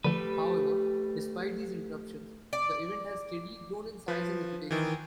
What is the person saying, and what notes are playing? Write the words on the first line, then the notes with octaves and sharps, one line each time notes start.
However, despite these interruptions, the event has steadily grown in size and reputation.
D3 F3 G3 A3 B4
D5
F3 B4
D#3 E3